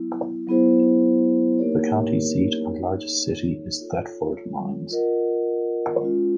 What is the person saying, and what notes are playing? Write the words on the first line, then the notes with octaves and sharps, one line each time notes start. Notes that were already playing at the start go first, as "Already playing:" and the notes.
The county seat and largest city is Thetford Mines.
Already playing: F#3 B3 E4
F#3 B3 E4 G#4 C5
A#3 D#4 G4 A#4 C#5
D#4 G#4 C#5
F4 A4 C#5
F4 A#4 D#5 F#5
G#3 C#4 F4